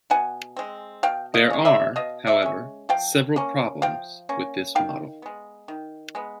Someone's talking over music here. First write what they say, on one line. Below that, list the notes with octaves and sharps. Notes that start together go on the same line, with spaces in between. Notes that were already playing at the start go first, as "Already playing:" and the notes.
There are, however, several problems with this model.
B2 F#5 G#5
G#3 C4
B2 F5 G5
D#5 F5
G#3 C#4
D5 E5
B2 D#5 F5
D5 E5
G#3 C#4
F3 F5 G5
A#3 C#4
F3 F5 G5
A#3 C#4
D#3 F5 G5
G#3 B3
D#3
G#3 B3